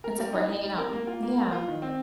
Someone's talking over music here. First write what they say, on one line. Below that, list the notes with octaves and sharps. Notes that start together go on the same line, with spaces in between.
It's like we're hanging out, yeah.
A#4
G3
D#4
D#4
G3
A#4
A#3
F4
A#3
A#3
F4
D#3
C4